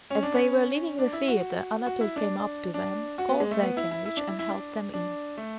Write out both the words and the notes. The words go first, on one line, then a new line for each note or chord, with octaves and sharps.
As they were leaving the theater Anatole came up to them, called their carriage, and helped them in.
C#4
D4
C#4
D4
E4
F#4
F#4
E4
D4
D4
F#4
B3
G#3
A3
B3
E4
E4
E4
D4
E4
E4
D4
D4
A3